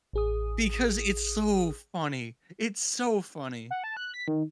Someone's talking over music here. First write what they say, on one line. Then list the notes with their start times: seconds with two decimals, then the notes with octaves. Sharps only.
because it's so funny. It's so funny.
0.13 A1 G#4 D#6
3.71 F#5
3.84 A5
3.97 F#6
4.14 B6
4.28 D#3